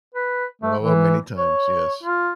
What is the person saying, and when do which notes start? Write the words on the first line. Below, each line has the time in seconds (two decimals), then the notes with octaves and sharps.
Oh, many times, yes.
0.14 B4
0.62 A3
0.82 E3
1.36 C#5
2.03 F4